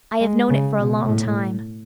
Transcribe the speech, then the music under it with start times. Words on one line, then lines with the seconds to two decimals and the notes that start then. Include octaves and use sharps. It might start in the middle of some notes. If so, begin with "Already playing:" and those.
I have known it for a long time.
0.20 G#3
0.49 C#3
0.78 B2
1.06 A2